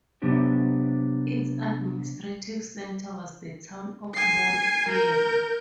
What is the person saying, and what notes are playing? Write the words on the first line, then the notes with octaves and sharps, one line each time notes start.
Its administrative centre was the town of Mount Perry.
C3 F#3 B3 D4 G4 C5
G#5 C7
A#4 G6